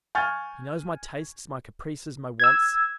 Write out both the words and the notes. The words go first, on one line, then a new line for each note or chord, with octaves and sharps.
He knows my tastes, my caprices, my wants.
G#5 C#6 F6 G6 A6
E6 G#6